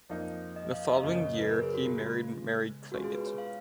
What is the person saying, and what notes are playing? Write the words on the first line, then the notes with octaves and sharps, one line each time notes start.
The following year, he married Mary Clagett.
F2 F3 A#3 D#4
D#5
F5
D#5
F#2 C#3 F#3 A#3 D#5
C#5
C#5
B4
A#4
G#4
F#4
F4
C#3 G#3 B3 F4
B2 G#3 C#4 F4 F#4
G#4
B4
C#5
F5